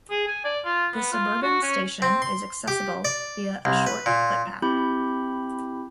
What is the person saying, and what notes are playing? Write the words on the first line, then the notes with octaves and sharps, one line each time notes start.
The suburban station is accessible via a short footpath.
G#4
G#5
D5
F4
B3
F4
F#4
C#4
C4
C6
G4
D5
C2
B4
A#2
C4 E4 G4 B5 G6